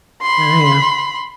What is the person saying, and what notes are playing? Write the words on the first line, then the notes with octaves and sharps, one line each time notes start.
Oh, yeah.
B5 C6